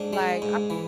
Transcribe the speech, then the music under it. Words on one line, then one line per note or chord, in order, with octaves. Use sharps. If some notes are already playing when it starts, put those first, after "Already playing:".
Like, I
Already playing: G#2 D4
G#3
G#2
E3